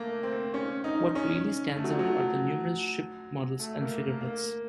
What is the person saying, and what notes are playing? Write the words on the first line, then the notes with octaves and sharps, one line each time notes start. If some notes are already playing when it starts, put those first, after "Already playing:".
What really stands out are the numerous ship models and figureheads.
Already playing: A3 A#3
C4
C#4
D#4
C#4
A3
F#3
F3
F#3
A3
A#3
A#3
A#3